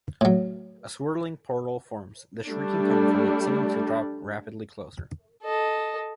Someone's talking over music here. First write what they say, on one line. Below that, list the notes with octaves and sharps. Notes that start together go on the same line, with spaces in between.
A swirling portal forms, the shrieking coming from it seeming to draw rapidly closer.
A2 F#3
G3 A3 D4
A4 D#5